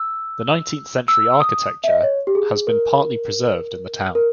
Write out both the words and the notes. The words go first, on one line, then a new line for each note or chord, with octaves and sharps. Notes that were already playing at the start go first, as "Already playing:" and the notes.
The nineteenth century architecture has been partly preserved in the town.
Already playing: E6
E6
D#6
E5
D#5
C#5
G4
G#4
A#4
A#4